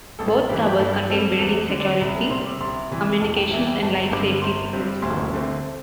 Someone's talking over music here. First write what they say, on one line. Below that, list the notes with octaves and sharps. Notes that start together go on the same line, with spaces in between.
Both towers contain building security, communications, and life-safety systems.
A1 A4
G2 E3 G4
G4
G2 A4
G3 C4 A4
E2 A4
D3 C4
D5
C2 D5
A4
C3 G3 C4 C6
D6
C2 C6
C3 E3 G3
E1 A5
G5
E2 E3 G3 E5
G5
G1 A5
G2 D3 G3 C4 D6
G1 C6
G2 G3 C4
D2 C6
D3 A3 C4